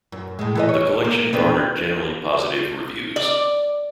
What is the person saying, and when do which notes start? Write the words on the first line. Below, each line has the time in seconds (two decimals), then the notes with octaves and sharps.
The collection garnered generally positive reviews.
0.12 F#2
0.39 A2 G#3
0.55 E3 A4 D#5
0.69 C#5
1.05 A#3
1.33 B3 C4 D4
3.16 D5